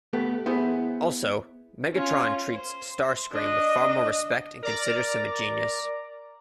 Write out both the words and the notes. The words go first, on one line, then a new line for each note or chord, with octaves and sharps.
Also, Megatron treats Starscream with far more respect and considers him a genius.
A3 B3 G4
B3 E4 G#4 C5
C#4 F4
C5
D4 D#5
A#4 D5 A#5